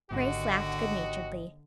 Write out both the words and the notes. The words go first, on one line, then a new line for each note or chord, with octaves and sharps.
Grace laughed good-naturedly.
G#1 D#2 D3 F#4 G4 D#5